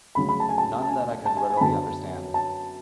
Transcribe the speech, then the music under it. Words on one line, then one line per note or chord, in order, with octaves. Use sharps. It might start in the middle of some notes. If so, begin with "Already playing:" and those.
None that I could readily understand!
D2 C#3 F#3 B5
B5
A5
G#5
A5
A5
G#5
A5
G#5
G#5
B5
F#2 D3 F#3 B3 A5
A5